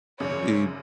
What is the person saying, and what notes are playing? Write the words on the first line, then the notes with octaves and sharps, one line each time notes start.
It'd be
G#1 F#2 C#3 C#5